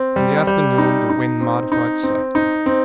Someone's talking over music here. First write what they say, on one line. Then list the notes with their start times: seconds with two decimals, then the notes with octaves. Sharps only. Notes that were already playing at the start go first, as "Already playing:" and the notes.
In the afternoon the wind modified slightly.
Already playing: C4
0.16 G3
0.47 G3
0.78 D#4
1.09 D#4
1.41 C4
1.72 D#4
2.03 C4
2.35 D#4
2.66 C4